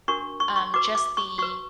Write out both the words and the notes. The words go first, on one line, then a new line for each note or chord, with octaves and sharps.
um, just the,
D4 F#4 A#4 C#6
C#6
C6
C#6
F#4 B4 D6
D6
C#6
F#4 B4 C#6